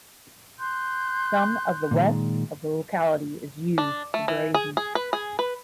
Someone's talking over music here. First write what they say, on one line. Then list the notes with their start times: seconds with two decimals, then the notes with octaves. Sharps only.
Some of the west of the locality is used for grazing.
0.58 C6 F#6 G6
1.91 A#2 D#3 G#3
3.78 D4
4.14 A3
4.28 E3
4.54 G#4
4.77 G#4
4.95 B4
5.13 G#4
5.39 B4